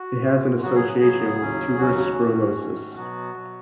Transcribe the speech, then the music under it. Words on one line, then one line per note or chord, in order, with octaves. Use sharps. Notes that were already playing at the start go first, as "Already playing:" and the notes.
It has an association with tuberous sclerosis.
Already playing: F#4
F#2 E3 G#3 B3
C#3 F#3 B3 F#4
G#4
C#3 F#3 B3 G#4
D#2 C#3 F#3 C#4
D#2 C#3 F#3 C#4 F#4
G#2 D#3 A3 C#4
G#2 D#3 A3 C#4
B2 F#3 B3 F#4
B2 F#3 B3